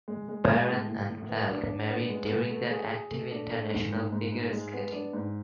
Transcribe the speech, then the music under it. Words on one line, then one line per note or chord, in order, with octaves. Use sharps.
Baran and Falk married during their active international figure skating.
G#3
G#3
G#3
A2
A2
A2
B3
D4
D4
B3
G#3
B3
A3
G#4
G#4
A3
D4
A3
G#2
G#2
G#2
G#2
G#3
B3
D4
G#2